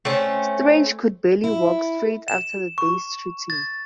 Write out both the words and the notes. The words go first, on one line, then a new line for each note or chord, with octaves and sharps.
Strange could barely walk straight after the day's shooting.
A3 C4 C#4
E4
E7
C#6
A6